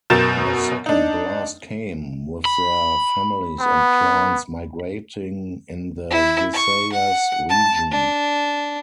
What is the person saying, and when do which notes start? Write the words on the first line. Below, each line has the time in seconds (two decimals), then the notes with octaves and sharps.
The second blast came, with their families and clans migrating in the Visayas region.
0.10 F#2 B2 A#4 G6 A6 E7
0.86 D4 D#4
2.45 B5
3.60 B3
6.11 E4
6.53 C#6
6.93 F#5
7.49 A5
7.91 D4